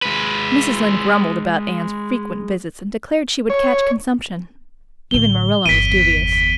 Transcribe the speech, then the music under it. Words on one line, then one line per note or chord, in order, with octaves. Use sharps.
Mrs. Lynde grumbled about Anne's frequent visits, and declared she would catch consumption; even Marilla was dubious.
G#3 B4
C#5
A1 D3 G7
G1 E2 B6 D7 D#7